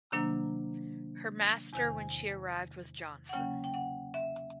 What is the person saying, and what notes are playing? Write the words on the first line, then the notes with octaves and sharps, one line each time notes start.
Her master when she arrived was Johnson.
C3 D#3 F#3 A#3 D4 A#5
E2 C3 D#3 G#5
F#5
C#3 F#3 A#3 C#4 G5
G5
F#5
E5